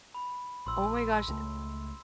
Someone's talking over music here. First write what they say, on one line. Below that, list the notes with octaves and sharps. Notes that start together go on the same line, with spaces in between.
Oh, my gosh, uh
B5
A#1 C6 E6
C#2 A3